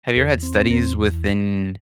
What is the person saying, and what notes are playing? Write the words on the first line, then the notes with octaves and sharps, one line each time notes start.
have you ever had studies within
E2 A4
C4
E2 A#4